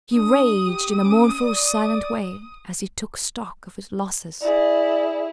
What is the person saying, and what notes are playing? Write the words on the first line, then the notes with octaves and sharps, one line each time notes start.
He raged in a mournful, silent way, as he took stock of his losses.
D4 D#6
G4
C#4
D5
E4 G#4 D5